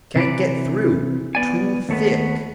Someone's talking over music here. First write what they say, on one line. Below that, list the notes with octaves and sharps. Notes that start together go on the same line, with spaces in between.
"Can't get through--too thick!"
C3 E3 B4 D5
B3 D5 G#5
D#2 A3 B3